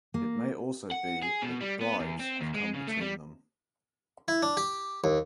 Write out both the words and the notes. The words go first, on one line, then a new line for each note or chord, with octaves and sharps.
It may also be that bribes have come between them.
A#3
F#5
G#4
B2
G3
B3
E2
C4
D#2
G#3
C#3
A3
G3
E4
D4
G4
D#2